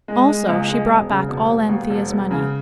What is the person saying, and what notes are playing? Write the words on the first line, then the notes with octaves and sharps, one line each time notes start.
Also she brought back all Anthea's money.
G#3
G#3
C#2
G#3
E1
C#3
E1
E1
D#2
E1
E1
C#3